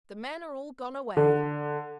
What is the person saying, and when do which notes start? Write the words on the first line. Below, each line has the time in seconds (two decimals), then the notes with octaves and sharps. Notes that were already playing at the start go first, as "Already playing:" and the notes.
The men are all gone away.
1.17 D3